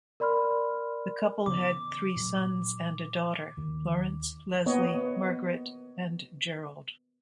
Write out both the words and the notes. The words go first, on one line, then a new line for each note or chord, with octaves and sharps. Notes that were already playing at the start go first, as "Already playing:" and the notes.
The couple had three sons and a daughter-Lawrence, Leslie, Margaret, and Gerald.
A#4 D5 B5 C6 F6
C#3 E3 B3 D6
A#2 F#3
D#2 D#3
A#3 B3 C#5 D#5